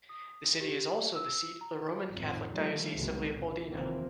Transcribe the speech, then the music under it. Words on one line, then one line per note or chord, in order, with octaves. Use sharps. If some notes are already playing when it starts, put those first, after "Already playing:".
The city is also the seat of the Roman Catholic Diocese of Leopoldina.
D#6
G4
E6
A#5
G#1 F2 A2 D#3
D3 D#3 F3 G3 A3 A#3
F#1 C2 C#3 F#3 G#3 B3
A#2 C#3
F1 D#2 E3 F3 A#3 C4